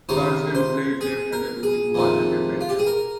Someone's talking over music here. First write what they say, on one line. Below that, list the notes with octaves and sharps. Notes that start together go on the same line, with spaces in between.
Carlsen played left-handed with a one-handed backhand.
C#2 C3 D#3 C#5
C5
G#4
A#4
G#4
F2 C3 D#3
F4
G4
G#4
A#4